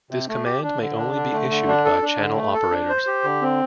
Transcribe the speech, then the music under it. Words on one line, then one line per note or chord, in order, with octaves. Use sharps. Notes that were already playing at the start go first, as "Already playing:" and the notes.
This command may only be issued by channel operators.
C3
A3
G4
D4
D3
D4
D3
A3
D3
D4
A4
D4
D3
A3
A4
D4
C5
G4
D3
C4